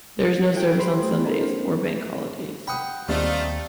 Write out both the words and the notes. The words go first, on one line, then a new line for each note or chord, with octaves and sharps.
There is no service on Sundays or Bank Holidays.
E4 A4 G5 G6 D7
G4 C5 B5 C6
A3
D4 D#4 F4 A4 A#4 C5
B3 C#4 D#4
F#5 G5 B5 D#6
D#2 G3 A3 C4 D4 D#4 F4